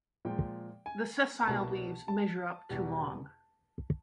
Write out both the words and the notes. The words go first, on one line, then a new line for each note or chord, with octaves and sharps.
The sessile leaves measure up to long.
A#2 F3 G#3 G5
G#5
A#5
C2 B2 G3 A#3 A5
A5
E2 B2 G3